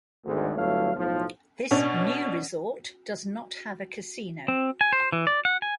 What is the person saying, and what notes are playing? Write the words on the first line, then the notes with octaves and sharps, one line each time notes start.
This new resort does not have a casino.
G#1 D2
G1 F#3 A3 E4 C#5 F5
B1 A2 F3
B2 C#4 D4
C4
G#5
C5
E3
D5
F#5
G#5